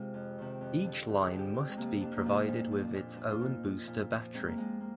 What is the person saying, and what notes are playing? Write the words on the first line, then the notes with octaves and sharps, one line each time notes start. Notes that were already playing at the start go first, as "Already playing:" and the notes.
Each line must be provided with its own booster battery.
Already playing: C3 G#3 F4
F2
C3 D#3
F2
D3 F3
F2 G4
G#4
D3 F3
G4
F2 C4
G#3
C3 F3 A#3
F2 D4
A#3
C3 F3
D4
A#2 D#4
D4
F3
A#2
F3
F4
A#2 D#4
F3
A#2
F3
G#2 C4
A#3
F3 G#3
A#3